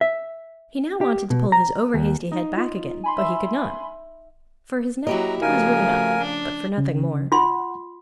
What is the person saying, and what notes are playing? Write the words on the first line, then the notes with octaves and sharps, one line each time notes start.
He now wanted to pull his over-hasty head back again, but he could not. For his neck there was room enough, but for nothing more.
E5
G4
B2
A#5
D#2
D#4
F4
G#5 B5 C6
E5
F#3 A#3 E4 F#4 G4 D#5 A#5
C#3 F3 A3 A#4 F5 G#5
D4
C#3 C#4
F4 F#5 C6